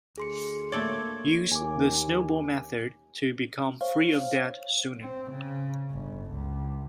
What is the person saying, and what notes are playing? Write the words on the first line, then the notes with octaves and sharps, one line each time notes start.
Use the snowball method to become free of debt sooner.
D2 G#4 C6 C#7
A3 A#3 A4 C#5 D5 G#6
D#2 G#5 D6
C5 C#5 F5
C4
C#3
G1
C#2